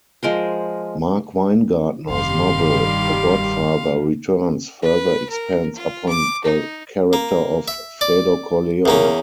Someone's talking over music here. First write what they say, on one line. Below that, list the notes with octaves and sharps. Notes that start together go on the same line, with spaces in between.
Mark Winegardner's novel "The Godfather Returns" further expands upon the character of Fredo Corleone.
F3 G#3 A#4 C5
F1 G2 D#3 G3 F5 C6
B4
A#4
F4
D6
D#4
A#3
E5
D5
E2 A#3 C#4 A#4